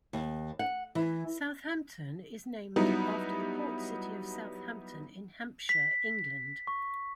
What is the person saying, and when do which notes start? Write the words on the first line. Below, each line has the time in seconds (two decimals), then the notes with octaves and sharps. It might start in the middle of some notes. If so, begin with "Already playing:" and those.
Southampton is named after the port city of Southampton in Hampshire, England.
0.13 D#2
0.59 F#5
0.95 E3
2.76 F#3 G3 B3 D#4 E4
5.69 B6
6.67 C#6